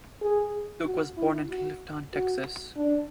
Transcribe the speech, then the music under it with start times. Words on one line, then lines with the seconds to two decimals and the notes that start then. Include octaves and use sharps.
Duke was born in Clifton, Texas.
0.21 G#4
0.86 F#4
1.17 E4
1.50 F#4
2.14 F#4
2.77 D4